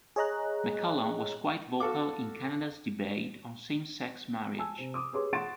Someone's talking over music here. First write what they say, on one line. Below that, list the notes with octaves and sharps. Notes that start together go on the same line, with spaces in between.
McCallum was quite vocal in Canada's debate on same-sex marriage.
G#4 C#5 D#5 A#5 F#6
F#4 A4 F5 D6
G#5 A5 E6
C3 C4
D6 D#6
G4 G#4 B4 C#5 C6 D6
F#5 C6 C#6 A6 D7 E7